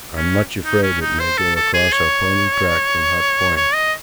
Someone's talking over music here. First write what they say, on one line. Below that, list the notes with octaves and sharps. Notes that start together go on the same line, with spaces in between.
I'm much afraid it may go across our pony track from Hut Point.
C#4
D#4
C#4
D#4
C5
A4
A4
G#4
C#5
C#5
D#5